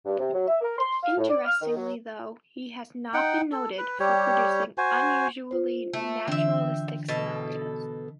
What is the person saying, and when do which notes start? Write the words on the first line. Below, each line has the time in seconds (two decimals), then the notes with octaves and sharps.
Interestingly, though, he has not been noted for producing unusually naturalistic scenarios.
0.06 G2
0.19 C3
0.33 F#3
0.47 E5
0.61 A#4
0.78 C6
1.03 F5
1.17 A2
1.30 D5
1.45 F6
1.62 D#3
1.75 F#3
3.14 D#4 F#5 G5
3.52 A4
3.78 B4
4.00 G3 G4 C#5
4.78 F#4 C5 G#5
5.51 F4 C5
5.93 A3
6.28 D3 E3 C4 D4 E5
7.08 B2 A4 D#5 A6